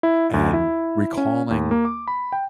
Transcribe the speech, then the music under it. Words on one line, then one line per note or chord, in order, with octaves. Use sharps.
and recalling
E4
D2
E4
C#4
D#2
A#3
D6
B5
G5